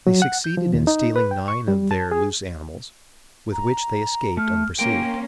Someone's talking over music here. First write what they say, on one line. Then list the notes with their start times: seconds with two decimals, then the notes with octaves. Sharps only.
They succeeded in stealing nine of their loose animals, with which they escaped unperceived.
0.07 F#3
0.22 F#5
0.44 G6
0.57 F3
0.74 D#2
0.87 D#4
1.16 B4
1.31 G5
1.48 C#6
1.68 G3
1.91 A5
2.12 G#4
3.52 A#5
4.37 A3 F6
4.79 A#3 C#4 G5 C6